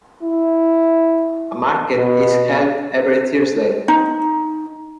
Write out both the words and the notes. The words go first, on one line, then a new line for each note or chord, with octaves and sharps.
A market is held every Thursday.
E4
B2
D#4